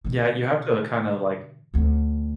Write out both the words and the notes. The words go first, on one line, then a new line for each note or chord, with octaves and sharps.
Yeah, you have to kinda, like
B2 D3
D2 C4